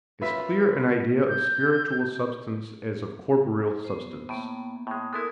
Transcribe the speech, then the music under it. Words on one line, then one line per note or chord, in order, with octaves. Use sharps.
As clear an Idea of spiritual substance as of corporeal substance.
F#2 F4 B4 E5 B6
G6
B3 C5
A2 A#3 B3
A2 G#3
G#3 B3 E4 A4 A#4 D#6